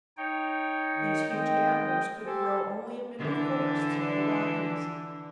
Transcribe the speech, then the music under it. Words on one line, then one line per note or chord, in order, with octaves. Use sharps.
These huge antlers could grow only amid the forests of the Rockies.
D#4 C#5 G5
D#3
D#3 G#3 C4 D#5 G5
G4 A4 C5 G#5
D3 E3